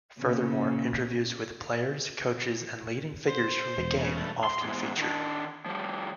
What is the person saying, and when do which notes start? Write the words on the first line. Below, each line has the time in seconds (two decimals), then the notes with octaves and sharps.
Furthermore, interviews with players, coaches and leading figures from the game often featured.
0.18 A#2 C#3
3.28 C5
3.78 E1
3.98 C#3
4.16 G2 A3
4.44 C6
4.62 E2 G#2
4.97 D#3 D4
5.66 F3 G3